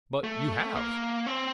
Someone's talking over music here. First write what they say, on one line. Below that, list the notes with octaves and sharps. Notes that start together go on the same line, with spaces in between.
"But you have."
A3
A#3
C4